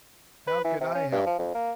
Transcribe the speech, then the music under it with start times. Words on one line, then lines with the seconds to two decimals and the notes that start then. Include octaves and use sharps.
How could I help it?
0.48 B4
0.64 E3
0.81 C3
0.95 C#4
1.12 G2
1.26 F3
1.39 F2
1.55 A#3